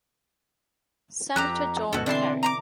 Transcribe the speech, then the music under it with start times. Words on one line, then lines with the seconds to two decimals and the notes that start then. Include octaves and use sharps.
Senator John Kerry.
1.36 F2 G4 A4 A#5 F#6
1.93 G1 D2 G#2 B2 C#4 F#4 A4
2.06 D3 E3 C4 D4 A5 C6
2.43 A#5 C6 D6